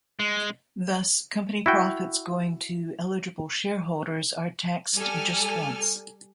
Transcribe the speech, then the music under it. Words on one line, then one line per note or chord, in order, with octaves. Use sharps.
Thus company profits going to eligible shareholders are taxed just once.
G#3
E4 F#4 G5
G3 A4 G#5 F6